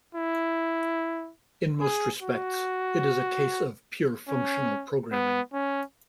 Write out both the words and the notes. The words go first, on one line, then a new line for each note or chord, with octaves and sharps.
In most respects, it is a case of pure functional programming.
E4
G#4
F#4
C#4
B3
C#4